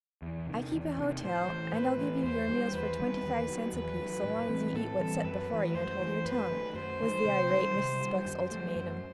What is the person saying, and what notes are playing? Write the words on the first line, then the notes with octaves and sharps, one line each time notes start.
"I keep a hotel, and I'll give you your meals for twenty-five cents apiece so long as you eat what's set before you and hold your tongue," was the irate Mrs. Buck's ultimatum.
E2
C3 D#3
E2
C3 D#3
A2 C5
E3 A3
A2 B4
E3 A3
E2 C5
D#3 G3
E2 B4
D#3 G3
E2
D#3 F#3
E2 B4
D#3 F#3
A2
E3 G3 C4
A2 A4
E3 G3 C4
F#2 B4
E3 A3
F#2 C5
E3 A3
F#2 B4
D#3 A3
F#2 C5
D#3 A3
C3
D#3 G3
C3
D#3 G3
F#2 C5
F#3 A3
F#2